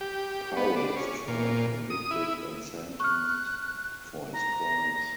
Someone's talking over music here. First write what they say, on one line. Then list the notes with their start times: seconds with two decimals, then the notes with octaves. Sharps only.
Powell is tried, convicted, and sentenced for his crimes.
0.01 G4
0.57 B3
0.76 D4
0.96 C#4
1.28 A#2
1.90 D#6
2.11 E4
3.00 C#6 F6 F#6
4.33 A#5